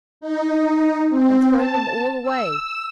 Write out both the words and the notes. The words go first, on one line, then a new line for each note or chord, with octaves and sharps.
'And thrown them all away.
D#4
C4
A5
E6